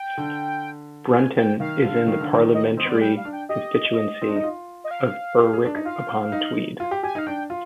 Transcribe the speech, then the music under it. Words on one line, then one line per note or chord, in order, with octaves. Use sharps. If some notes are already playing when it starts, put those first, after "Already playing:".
Brunton is in the parliamentary constituency of Berwick-upon-Tweed.
Already playing: G5
D3
G#5
G5
D#3 F5
D3
D#3
D3
D#3
D#5
C4 D#5
B3
D5
G#3
G3 G5
F5
D4
G5
G4 D#5
C4
D4
D#4
F4
D#5
F5
G4
G#4
D4
D#4
F4 F5
D#4
F4
G4
G4 G#5
D#4
F5
D4 G5
F4